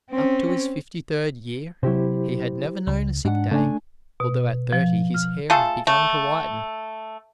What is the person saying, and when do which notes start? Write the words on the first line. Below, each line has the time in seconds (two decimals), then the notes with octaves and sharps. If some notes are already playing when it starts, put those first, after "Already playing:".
Up to his fifty-third year he had never known a sick day, although at thirty his hair had begun to whiten.
0.11 C4 C#4
1.83 C3 F#3 E4 G4 C5
2.87 C#2
3.25 G#2 D4 F#5
3.51 C#3 A3 D4 G#5
4.20 B2
4.73 F3
5.14 F6
5.50 A3 F4 G#4 A4
5.87 A3